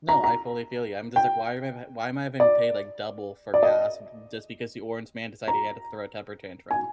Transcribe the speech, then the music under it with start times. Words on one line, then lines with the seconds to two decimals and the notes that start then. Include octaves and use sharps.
No, I fully feel you. I'm just like, why am I why am I being paid, like, double for gas just because the orange man decided he had to throw a temper tantrum?
0.09 A#5
0.24 A#5
1.16 G5
2.40 D5
3.54 D5
3.63 D#5
5.48 A#5
6.71 G#5